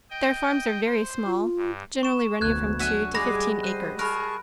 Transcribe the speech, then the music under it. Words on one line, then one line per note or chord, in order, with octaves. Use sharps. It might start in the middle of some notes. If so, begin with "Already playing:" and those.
Their farms are very small, generally running from two to fifteen acres.
D#5 G5
C5
F4
G2
C#6 E7
F1 D2 B3 F#6 G#6
D3 F#3 F#4 E5 G#5
G3 G#3 G#4 G#5 B5 D6 A#6
C5 F#6 D#7
G#4 A#4 A5 B5 C#6 F#6